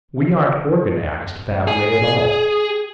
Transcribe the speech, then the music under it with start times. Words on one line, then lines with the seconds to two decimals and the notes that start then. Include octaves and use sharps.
We aren't organized that way at all.
1.68 G#4